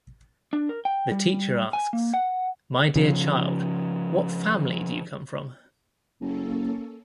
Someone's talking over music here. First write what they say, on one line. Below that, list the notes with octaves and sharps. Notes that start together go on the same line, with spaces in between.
The teacher asks, my dear child, what family do you come from?
D4
A#4
G5
G3
G#5
A#3
F#5
C#3 F3
F#1 A#3 C#4 A4